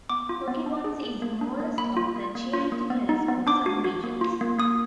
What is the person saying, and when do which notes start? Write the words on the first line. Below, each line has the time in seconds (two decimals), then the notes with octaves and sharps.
Poggibonsi is the smallest of the Chianti Classico sub-regions.
0.09 B3 D6
0.29 F4
0.48 B3
0.66 D4
0.84 G#4
1.03 G#4
1.22 A#3
1.41 D4
1.60 A#3
1.78 A#3 B5
1.97 F4
2.16 A#3
2.35 A#3
2.53 F4
2.72 A#3
2.90 B3
3.09 D#4
3.28 B3
3.47 D4 D6
3.66 F#4
3.84 F#4
4.04 A#3
4.21 F4
4.41 A#3
4.59 A#3 D#6